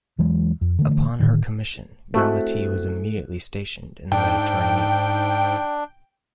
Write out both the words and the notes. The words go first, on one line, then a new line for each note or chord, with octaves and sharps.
Upon her commission, "Galatea" was immediately stationed in the Mediterranean.
E2 E3 F#3 G#3
F2
D3 E3 A3
A2 D3 D#3
A3 C4 E4 F#4 F#6
G#2 D4 G5